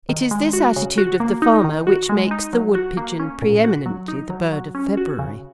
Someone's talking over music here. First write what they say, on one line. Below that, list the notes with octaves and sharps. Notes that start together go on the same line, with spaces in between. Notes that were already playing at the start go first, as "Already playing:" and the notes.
It is this attitude of the farmer which makes the woodpigeon pre-eminently the bird of February.
D#3
G#3
F#4
C#3
F#4
A#3
D#4
D#3
F#4
G#3
D#4
F#3
F#4
A#3
C#4
A#2
F#4
F#3
D#4
F#3
F#3
C#4
F#4
C#3